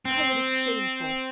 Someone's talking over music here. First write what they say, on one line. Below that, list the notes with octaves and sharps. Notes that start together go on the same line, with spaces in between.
Oh! it is shameful!
C4